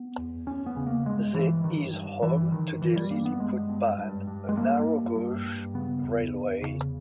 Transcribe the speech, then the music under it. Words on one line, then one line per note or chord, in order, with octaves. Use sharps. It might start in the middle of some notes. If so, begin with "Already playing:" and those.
The is home to the Liliputbahn, a narrow gauge railway.
Already playing: B3
E2
E2 C#4
B3
C#3
A#3
G2 G#3
G2 E3
G2 D#3
G2
G2 E3
G2 D#3
G2 E3
G3
G2 A#3
B3
G2 G#3
G2
G2
G2
G#3
G2 A#3
G2
G2
G2
C#3 B3
E2
E2
C#3